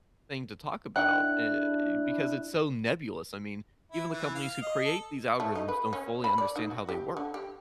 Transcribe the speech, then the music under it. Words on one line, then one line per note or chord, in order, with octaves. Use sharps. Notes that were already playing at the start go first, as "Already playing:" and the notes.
thing to talk about. Eh, because it's so nebulous. I mean, even the companies who create these algorithms don't fully understand how they work.
D#3 D4 E4 F#5 G5 F#6
E4
E3
F5
D#5
A4
A3
D#4
B4
C#4
B5
D5
D#4
F#4
G4
D3
G4